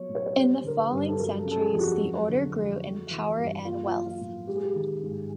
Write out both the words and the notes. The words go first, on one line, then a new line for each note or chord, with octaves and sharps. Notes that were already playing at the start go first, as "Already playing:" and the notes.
In the following centuries the order grew in power and wealth.
Already playing: F#3 B3 C#5
A2
C#5
C#5
G3 C5
D3 A#4
B4
G2
A4
F#3 A#4
A4
C#3
A4
G#4
F2 G4
F#4
F#3
D3
F2
A3
E3
G2
A#3 F4
F4
F#3
F4
A2
G#3 G4
G#4
G4
D#3
G#2